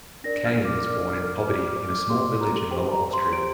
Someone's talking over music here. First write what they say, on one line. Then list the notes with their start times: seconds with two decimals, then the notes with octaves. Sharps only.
Kain was born in poverty in a small village in Lower Austria.
0.24 D4 A#4 D5 A#6
0.46 F6
0.65 D6
0.86 D4 A#4 D5 F6
1.27 F6
1.47 G4 D5 D6
1.68 F6
1.89 D6
2.10 G4 D5 C6
2.41 A#5
2.71 G4 C5 G5
2.91 A#5
3.13 C6
3.33 G4 C5 D7